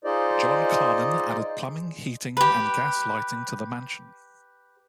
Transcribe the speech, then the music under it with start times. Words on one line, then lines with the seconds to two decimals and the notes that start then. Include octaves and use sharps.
John Carnan added plumbing, heating, and gas lighting to the mansion.
0.04 D#4 F4 G#4 C5 D5 D#5
2.37 G4 B4